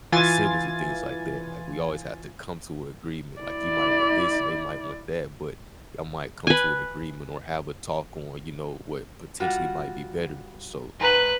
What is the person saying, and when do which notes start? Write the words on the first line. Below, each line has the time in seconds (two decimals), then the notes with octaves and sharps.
my siblings and things like that. Like, we always have to come to a agreement. Like, you might want this and they might want that, but y'all might come to an agreement or have a talk on, you know, what potentially might be better. So
0.12 E3 F4 G#5 A6
3.41 E4 D5
6.47 B4 G#5
9.40 G3 F4 F#4
11.00 G#2 B4 G#5 A#5 F#6